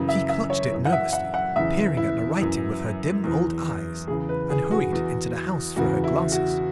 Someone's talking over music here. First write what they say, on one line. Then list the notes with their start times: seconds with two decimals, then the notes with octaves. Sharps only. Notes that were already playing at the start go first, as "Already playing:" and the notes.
She clutched it nervously, peered at the writing with her dim old eyes, and hurried into the house for her glasses.
Already playing: F#2 C#3 E3
0.09 E5
0.29 E5
0.50 C#5
0.71 F#2 E3
0.85 F#5
0.92 E5
1.13 F#5
1.34 F#5
1.56 E2 C#3 E3 E5
1.97 E4
2.40 F#2 E3
3.24 E2 E3
4.08 E2 C#3 E3 G#4
4.29 B4
4.50 G#4
4.71 F#4
4.93 E2 E3
5.76 E2 C#3 E3 F#4
6.04 E4
6.32 F#4